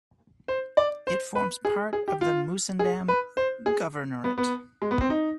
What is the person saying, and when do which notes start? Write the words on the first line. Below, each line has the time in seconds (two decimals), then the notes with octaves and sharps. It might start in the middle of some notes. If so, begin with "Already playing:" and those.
It forms part of the Musandam Governorate.
0.48 C5
0.77 D5
1.07 C5
1.35 B4
1.65 G#4
1.93 G#4
2.08 G4
2.21 F4
2.79 G#4
3.08 B4
3.37 C5
3.66 G#4
4.24 B3
4.38 B3
4.82 G#3
4.91 B3
5.01 C4
5.10 D#4